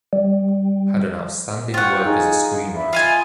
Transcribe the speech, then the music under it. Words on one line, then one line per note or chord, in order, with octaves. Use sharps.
Had an outstanding work as a screenwriter.
G3
F4 C5 F#5 G5 C#6
D#4 G#4
E5 B5
F4 D#5 G#5